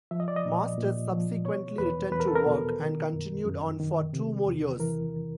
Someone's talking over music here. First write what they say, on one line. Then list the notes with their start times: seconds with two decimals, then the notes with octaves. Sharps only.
Masters subsequently returned to work and continued on for two more years.
0.11 F3 E5
0.20 D#5
0.28 D5
0.36 D#5
0.45 A#2
0.78 A#2
1.12 F3
1.45 B2 C#5
1.78 E2 B4
2.12 E2 B4
2.20 A#4
2.28 A4
2.35 A#4
2.46 B2
2.80 D#3
3.13 F#2
3.45 F#2
3.79 D#3
4.13 C3
4.46 E2
4.80 E3 A#4